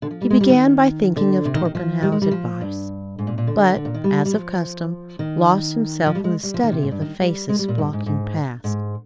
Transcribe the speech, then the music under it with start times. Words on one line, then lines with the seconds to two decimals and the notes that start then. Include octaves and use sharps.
He began by thinking of Torpenhow's advice, but, as of custom, lost himself in the study of the faces flocking past.
0.02 D3
0.11 F3
0.21 G3
0.30 G#3
0.41 G3
0.49 D#3
1.16 D3
1.45 C3
1.55 D#3
1.65 D#3
1.75 F3
2.03 G3
2.12 G#3
2.22 G3
2.31 F3
2.61 G2
3.19 G#2
3.27 A#2
3.38 A#2
3.47 D3
3.76 D3
3.85 A#2
3.94 D#3
4.04 G3
4.25 G3
4.33 F3
5.19 D#3
6.06 F3
6.15 G3
6.24 G#3
6.43 G3
6.54 F3
6.63 D#3
6.72 C3
6.83 G#2
6.91 G2
7.02 D#3
7.20 G3
7.49 G#3
7.59 G3
7.68 A#2
7.78 G2
7.93 G#2
8.06 G#2
8.64 G#2